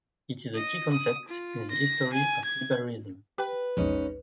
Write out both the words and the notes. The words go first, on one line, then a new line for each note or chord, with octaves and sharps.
It is a key concept in the history of liberalism.
D#5
D#6
F4
A#6
G#5
G#6
G4 B4 G5
A#1 E2 G#2 C#4 D#5